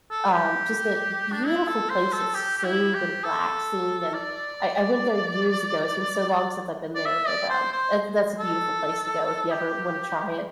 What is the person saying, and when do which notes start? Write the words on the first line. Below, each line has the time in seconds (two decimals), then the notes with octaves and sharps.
Um, just a beautiful place. It's so relaxing, and I I went there years ago. It's been so long since I've been there, but, um, eh, that's a beautiful place to go if you ever wanna try it.
0.11 A4
0.33 G4
1.32 D4
1.45 E4
1.68 A4
1.90 C5
2.13 A4
2.35 G4
2.57 G4
2.64 E4
2.94 G4
3.24 A4
4.14 D5
6.95 D5
7.05 E5
7.27 D5
7.49 C5
7.72 C5
8.39 A4
9.51 G4